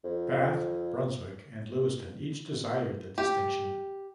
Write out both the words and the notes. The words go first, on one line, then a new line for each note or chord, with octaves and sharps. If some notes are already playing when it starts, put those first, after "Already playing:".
Bath, Brunswick, and Lewiston each desired the distinction.
F2
G4